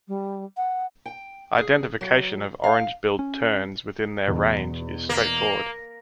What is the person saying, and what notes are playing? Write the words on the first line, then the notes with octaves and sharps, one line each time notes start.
Identification of orange-billed terns within their range is straightforward.
G3
F#5
G5
G#4
F#3
F5
C#4
E2 B2
A#3